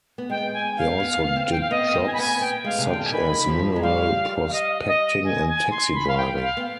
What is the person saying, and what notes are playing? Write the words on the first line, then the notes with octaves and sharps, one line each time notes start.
He also did jobs such as mineral prospecting and taxi driving.
B3
G#3 G5
G#5
F5
B3
C4
G5
F5
B3 D#5
C4
G#5
B5
B3 G#5
B3 G5
G#3 F5
C3
D3 G5
G#5
D#3 B5
D#3
F3
G#3
G3 F5
F5
D#5
D#5
G#5
G#5
C6
B5
F5
G5
F5
B3